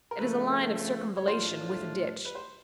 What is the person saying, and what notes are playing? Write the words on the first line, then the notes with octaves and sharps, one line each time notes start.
It is a line of circumvallation with a ditch.
A#4
C#3 F3 A3 B4
C#5
A2 F3 A3 D4 F4 C5
B4
C5